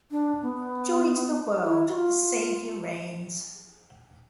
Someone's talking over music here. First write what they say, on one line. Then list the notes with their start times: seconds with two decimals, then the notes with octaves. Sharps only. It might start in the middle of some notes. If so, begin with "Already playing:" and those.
Joy to the world, the Savior reigns!
0.11 D4
0.42 B3
1.64 E4
1.89 F#4
1.94 F4